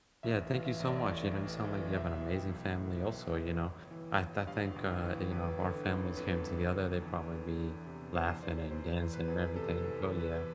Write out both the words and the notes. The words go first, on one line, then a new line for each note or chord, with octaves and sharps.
Yeah, thank you so much, you know, you sound like you have an amazing family also, you know? I I think, uh, you know, if our families came together, they'd probably be laughing and dancing and everything. Oh, yeah.
A1 E5
E3 F5
E5
A1
D5
A2 D5
A1
E3
B1 E5
E3
G5
B1
A2
B1
E3
G1
E3
G1
G2 F5
G1
E3
G1 B4
D3
G1
F2 B4
G1
D3
E2
E3
E2
C3
E2 C5
E3 D5
E2 C5
E3
B4
E2
C3 A4
A4
E2
E3
B4